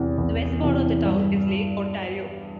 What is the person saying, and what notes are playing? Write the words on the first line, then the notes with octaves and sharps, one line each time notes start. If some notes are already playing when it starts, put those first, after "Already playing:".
The west border of the town is Lake Ontario.
Already playing: E2 C3 E3
E2
C3 E3
G2